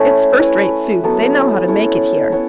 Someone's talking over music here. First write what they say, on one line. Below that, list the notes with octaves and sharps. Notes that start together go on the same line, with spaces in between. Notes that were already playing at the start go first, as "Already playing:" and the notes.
It's first-rate soup, they know how to make it here.
Already playing: A3 C#4 E4 A4 C#5 E5
E4 B4 E5
F#3 B3 A4
C#4 E4 A4 C#5
B3 E4 C#5 E5